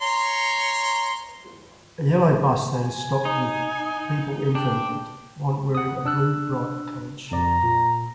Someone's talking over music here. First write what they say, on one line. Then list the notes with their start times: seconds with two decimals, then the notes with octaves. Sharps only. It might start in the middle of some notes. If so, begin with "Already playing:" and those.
A yellow bus that is stopped with people entering it one wearing a blue bright colored shirt.
0.02 C#5 A#5 C6
2.72 G#5
3.25 D#4
4.55 D4 G5 D6
5.75 F#5 D#6
6.05 D4 E6 F#6
7.31 F2 D5 A#5
7.63 A#2